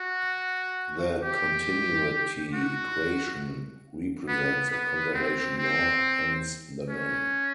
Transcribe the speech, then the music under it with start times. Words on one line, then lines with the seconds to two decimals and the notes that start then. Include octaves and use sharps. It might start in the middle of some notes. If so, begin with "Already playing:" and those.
The continuity equation represents a conservation law, hence the name.
Already playing: F#4
1.23 G4
2.53 F#4
4.28 B3
4.71 B3
5.14 C4
5.58 C4
6.89 C#4